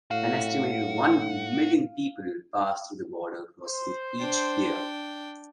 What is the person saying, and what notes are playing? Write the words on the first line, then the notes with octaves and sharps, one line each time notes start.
An estimated one million people pass through the border crossing each year.
A2 F#4 F5
C5
D4 G5